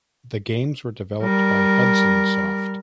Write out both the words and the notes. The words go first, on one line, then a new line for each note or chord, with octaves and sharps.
The games were developed by Hudson Soft.
G3 A#4